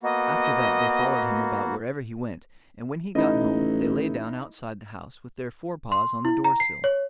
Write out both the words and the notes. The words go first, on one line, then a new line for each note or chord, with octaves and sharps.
After that they followed him about wherever he went, and when he got home, they lay down outside the house, with their fore-paws on the door sill.
A#3 B3 F#4 D#5
A1 D#4 E4 D#5
C6
E4
A#5
C7
C#5